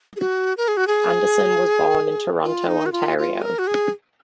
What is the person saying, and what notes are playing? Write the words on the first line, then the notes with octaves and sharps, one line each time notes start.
Anderson was born in Toronto, Ontario.
G#4
F#4
A#4
G#4
F#4
G#4
F4
D#4
F#4
F4
F4
A#4
F#4
G#4